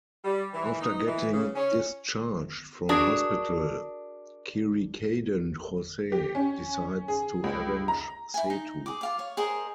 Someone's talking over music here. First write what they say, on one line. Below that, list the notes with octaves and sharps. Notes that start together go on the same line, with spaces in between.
After getting discharged from hospital, Keerikadan Jose decides to avenge Sethu.
G3
E3
D#4
E3
C#3
C#4
D4 F#4 G#4 A#4
G4
C#4
G#4
C#2
A#5
E4 G#5
D#4
G#4 D6
F4 F5 D6
C#5
G#4 A#4 C5 D#5